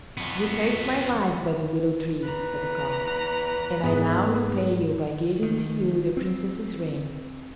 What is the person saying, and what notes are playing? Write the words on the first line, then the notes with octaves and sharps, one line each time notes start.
"You saved my life by the willow-tree," said the carp, "and I now repay you by giving to you the Princess's ring."
F2 B3
E2 B4 A#5
G#2 B3
D#3
C4